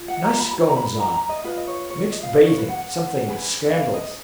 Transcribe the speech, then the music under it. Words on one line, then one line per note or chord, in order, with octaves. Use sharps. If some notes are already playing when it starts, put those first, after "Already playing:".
Nice goings on! Mixed bathing--something scandalous.
Already playing: F4
F#5
A#5
B5
B5
A#5
B5
A#5
A#5
D#5
F4 B4 D#5
D#5
C#5
C#5
C#5
D#5
F5
D#5
C#5
B4
F#5
C#4 G#4 B4
F5
D#5